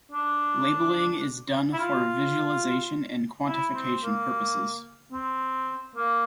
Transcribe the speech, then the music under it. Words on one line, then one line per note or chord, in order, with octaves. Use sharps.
Labeling is done for visualization and quantification purposes.
D4
E4
F4
E4
C4
A#3
C4
A#3